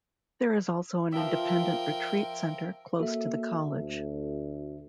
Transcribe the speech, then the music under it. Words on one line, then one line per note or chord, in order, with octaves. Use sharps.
There is also an independent retreat centre close to the college.
F3 A#4 E5 G5
A#3 F#4 A4 E5
D2